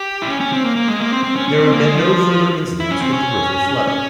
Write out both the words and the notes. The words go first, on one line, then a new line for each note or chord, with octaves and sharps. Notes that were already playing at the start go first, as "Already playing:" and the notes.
There have been no further incidents with the river flooding.
Already playing: G4
E4
C#4
C#4
C4
A#3
A#3
G#3
A#3
C4
C4
C#4
C#4
C4
A#3
G#3
F3
E4
C#4
C4
C#4
C#4